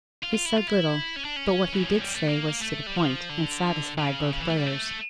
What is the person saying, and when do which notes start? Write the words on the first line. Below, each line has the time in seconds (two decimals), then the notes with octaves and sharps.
He said little; but what he did say was to the point, and satisfied both brothers.
0.23 F4
0.35 F4
0.46 E4
0.57 F4
0.67 E4
1.16 C#4
1.25 D4
1.37 C#4
1.48 C#4
1.73 E3
1.86 F3
2.01 G3
2.14 A3
2.27 A#3
2.61 A3
2.87 G3
2.97 F3
3.30 D3
3.98 C#3
4.33 C#3
4.40 E3
4.49 A3
4.57 G3
4.66 A3